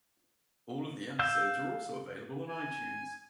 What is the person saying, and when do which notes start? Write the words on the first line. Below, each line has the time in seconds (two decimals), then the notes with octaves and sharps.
All of the episodes are also available on iTunes.
1.19 F5 E6 G6
2.49 G#5